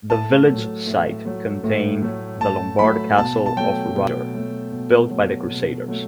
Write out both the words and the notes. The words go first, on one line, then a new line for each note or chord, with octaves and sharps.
The village site contained the Lombard Castle of Roger, built by the Crusaders.
A2 A5
F#3 A3
A2
F#3 A3
A2
F#3 A3
A2 A5
F#3 A3 B5
B2 A5
A5
F#3 A3 G5
B2
F#3 A3
B2
F#3
A3
B2
F#3 A3